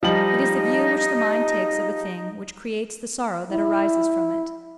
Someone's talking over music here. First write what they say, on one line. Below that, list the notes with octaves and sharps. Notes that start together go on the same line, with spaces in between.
It is the view which the mind takes of a thing which creates the sorrow that arises from it.
F3 G3 D#4 D#5 F#7
E4